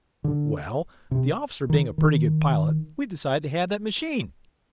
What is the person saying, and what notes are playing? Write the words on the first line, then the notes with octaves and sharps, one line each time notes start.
Well, the officer being a pretty good pilot, we decided to have that machine.
D3
C3
D#3
D#3